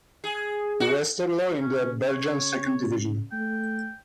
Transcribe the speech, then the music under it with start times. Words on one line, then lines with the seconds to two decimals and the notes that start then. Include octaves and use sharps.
Westerlo in the Belgian second division.
0.24 G#4
0.80 F#4
1.61 C#3 C#4
2.09 C#5
3.32 A3 G5